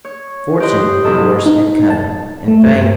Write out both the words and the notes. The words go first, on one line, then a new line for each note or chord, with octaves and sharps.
Fortune, of course, had come, and fame.
C#5
G4 B4 D#5 C6 F#6
F2 C3 F#3 E4 A4 D#5
D#4
A5
A3
G2